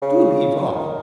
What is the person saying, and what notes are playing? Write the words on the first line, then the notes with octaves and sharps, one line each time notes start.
Do leave off!
C#3
D#3